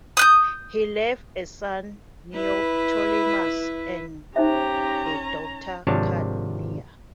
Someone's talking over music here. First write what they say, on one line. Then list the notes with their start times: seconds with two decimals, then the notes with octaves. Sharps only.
He left a son, Neoptolemus, and a daughter, Cadmea.
0.17 D#6 F#6 G6
2.34 E4 B4
4.36 C#4 D#4 G4 C5 E5 A#5
5.87 G#1 C3 F3 D4 C#5 A5